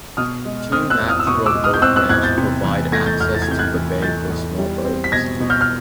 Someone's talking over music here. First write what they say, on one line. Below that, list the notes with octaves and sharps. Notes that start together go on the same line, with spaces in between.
Two natural boat ramps provide access to the bay for small boats.
B2 D#6 F6
G#3
C4 D#6 F6
E6 F#6
E2
D#6 F6
E6
B2 C#6 D#6
D6 E6
G#3
D#6 F6
G6
C4 E6 F#6
E6 F#6
E2 F#6 G#6
G6 A6
C3
E3
A3 G#6 A#6
G6 A6
E2 F6 G6
A6
G#6
C3 G6
F#6 G#6
E3
A3 G6 A6
E2
G3
C4
B6
B2 G#6 A#6
B2
F6 G6
F6